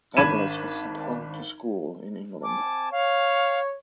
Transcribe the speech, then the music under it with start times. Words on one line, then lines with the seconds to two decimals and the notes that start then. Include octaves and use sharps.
Douglas was sent home to school in England.
0.17 G#1 D4 B5 G#6 D#7 E7
2.43 C4 G#5 A5 D6
2.92 C#5 F5